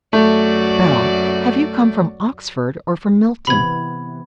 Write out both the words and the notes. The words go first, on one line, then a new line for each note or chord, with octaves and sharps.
Bell--have you come from Oxford or from Milton?'
F#2 A3 F#4 D5
C3 E3 B3 B5 G#6